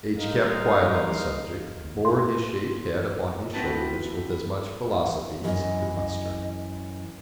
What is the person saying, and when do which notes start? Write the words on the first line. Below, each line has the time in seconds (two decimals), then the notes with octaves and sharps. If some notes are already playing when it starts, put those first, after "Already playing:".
H-- kept quiet on the subject, and bore his shaved head upon his shoulders with as much philosophy as he could muster.
0.18 G3 G#3 D#4 A#4 F5
2.05 C6
3.54 C4 E4 F#4 B4 G5 A5
5.44 F#2 E3 D#5